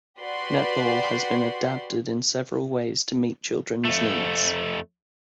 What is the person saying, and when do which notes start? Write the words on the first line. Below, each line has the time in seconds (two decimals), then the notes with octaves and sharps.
Netball has been adapted in several ways to meet children's needs.
0.19 F#4 G4 B4 D5 C6
3.85 F2 A3